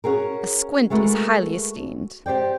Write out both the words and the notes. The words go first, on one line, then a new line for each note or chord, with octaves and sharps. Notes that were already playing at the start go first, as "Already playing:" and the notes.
A squint is highly esteemed.
C#4 F#4 G#4 A#4
G#3 A3 F#4 A#4 B4
G4 C5 D5 G5